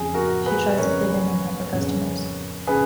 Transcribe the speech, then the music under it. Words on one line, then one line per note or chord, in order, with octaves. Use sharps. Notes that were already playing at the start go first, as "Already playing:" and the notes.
She tries to fit in and help her customers.
Already playing: F2 C#3 G#4
F#4 A#4
G#4 B4
F2 C#3 A#4 C#5
F2 C#3
C#3 G#4 B4